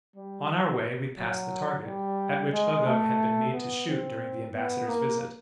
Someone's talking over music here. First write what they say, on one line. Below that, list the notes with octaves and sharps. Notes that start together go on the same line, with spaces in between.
On our way, we passed the target, at which Uggug had been made to shoot during the Ambassador's visit.
G3
F#3
G3
G#3
A3
B3
C4
B3
A#3